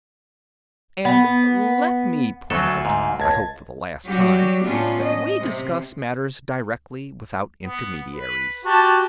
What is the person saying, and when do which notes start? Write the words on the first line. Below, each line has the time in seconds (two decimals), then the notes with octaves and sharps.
And let me point out, I hope for the last time, that we discuss matters directly, without intermediaries.
1.05 B3
2.50 D2 F#3 A4
2.85 G#2
3.20 C#2 A5 G#6
4.05 F#3 G3 F#4 G4
4.63 A2 A3 B3 C#4 D4 F4
5.03 D#5
5.40 C3
7.64 B3
8.14 B4
8.65 F#4 G4 A5